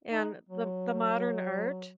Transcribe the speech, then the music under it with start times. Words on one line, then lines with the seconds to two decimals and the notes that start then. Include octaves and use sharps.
And the the modern art
0.09 D#4
0.49 F#3